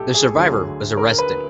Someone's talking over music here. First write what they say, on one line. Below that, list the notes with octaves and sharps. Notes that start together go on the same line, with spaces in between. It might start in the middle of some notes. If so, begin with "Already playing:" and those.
The survivor was arrested.
Already playing: B1 A2 G4 A4
G#4
D2 D3 F#3
A#4
B4